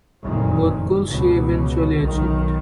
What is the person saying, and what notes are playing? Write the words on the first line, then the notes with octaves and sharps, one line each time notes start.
Both goals she eventually achieved.
F#1 F2 A#2 D#3
C#2 B2
B1 D#3